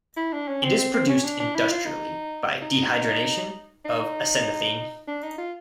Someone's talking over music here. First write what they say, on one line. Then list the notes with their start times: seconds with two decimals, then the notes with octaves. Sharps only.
It is produced industrially by dehydrogenation of acenaphthene.
0.17 E4
0.33 D4
0.48 C#4
0.63 C4
0.78 C4
0.94 C4
1.09 C#4
1.24 D4
1.40 D4
1.55 E4
1.70 F4
1.86 D#4
2.62 D#4
3.85 D#4
5.08 D4
5.23 D#4
5.38 F4